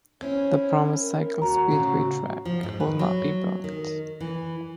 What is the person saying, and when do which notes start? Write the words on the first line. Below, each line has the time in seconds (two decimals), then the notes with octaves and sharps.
The promised cycle speedway track will not be built.
0.21 C4 C#4 E4 C#5
1.00 A#4
1.42 D#2 F#4 A#5
1.70 A2 C#3 C4
2.45 F3
2.63 G#2
2.80 B4
2.99 F#3
3.64 D#3
4.20 E3